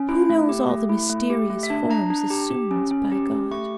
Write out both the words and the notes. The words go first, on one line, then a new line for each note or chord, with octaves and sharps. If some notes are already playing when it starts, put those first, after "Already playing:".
Who knows all the mysterious forms assumed by God?
Already playing: C#4
E4
A3
G4
A3
E4
A3
G4
A3
E5
D4
D4 A#5
D4
G4
G4
C#4
C#4
G4
G4
A3 C#6